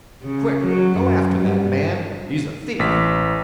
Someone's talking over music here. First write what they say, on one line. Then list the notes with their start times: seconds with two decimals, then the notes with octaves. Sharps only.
"Quick--go after that man--he's a thief!"
0.23 C#3
0.66 F#3
0.98 F#2
1.42 G2
2.79 A1 B6